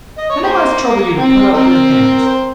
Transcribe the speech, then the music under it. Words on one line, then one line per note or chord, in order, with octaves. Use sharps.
And--I must trouble you to put up your hands.
D#5
C#5
A#3 G#4 C5
C4
C4 D#4 A#4
C5